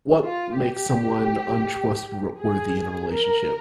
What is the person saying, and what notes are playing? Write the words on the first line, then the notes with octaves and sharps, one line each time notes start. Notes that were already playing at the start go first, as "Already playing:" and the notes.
what makes someone untrustworthy in a relationship?
F4
G4
G#4
A#4